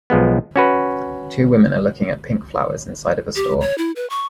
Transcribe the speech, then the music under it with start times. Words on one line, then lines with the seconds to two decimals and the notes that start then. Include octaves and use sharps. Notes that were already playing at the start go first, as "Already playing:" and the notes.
Two women are looking at pink flowers inside of a store.
0.10 B1 F3 G#3 B3
0.56 C#4 F#4 B4
3.36 G4
3.61 C#5
3.78 E4
3.96 B4
4.10 C#6